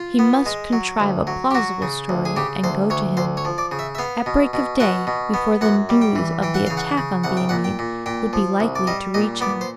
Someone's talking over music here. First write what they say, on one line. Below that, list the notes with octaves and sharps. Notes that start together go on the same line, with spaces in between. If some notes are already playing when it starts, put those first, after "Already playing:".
He must contrive a plausible story, and go to him; at break of day, before the news of the attack on Viamede would be likely to reach him.
Already playing: F4
B3
G#3
F#3
D2
F#3
G4
F#3 F#4
C#3
D2
G#4
C#3 G4
D2 C5
D2 C#5
D2 C5
C#5
F3
D5
C#3
E5
E5
B3 F5
B2
B2
B2 F#5
B2
B3
F#2 F#5
G3
G5
E3
E3 G5
F#5
C#3 F5
F#5
C#3
C2 F#5
G5
A#2 F#5
G5
A#2
A#2 G5
F3
C2
D5
G3 D#5
A#2 D#5
B3 D5
C5